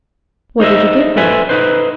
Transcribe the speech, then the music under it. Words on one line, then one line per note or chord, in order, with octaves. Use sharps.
'What did you give her?'
D#4 C5 D#5 E5
A4 B4 C5 E5 G#5
D#4 B4 C5